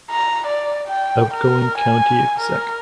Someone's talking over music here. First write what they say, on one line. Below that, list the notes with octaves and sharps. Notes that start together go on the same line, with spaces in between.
Outgoing County Exec.
A#5
D5
G5
A#4
G#5
A#4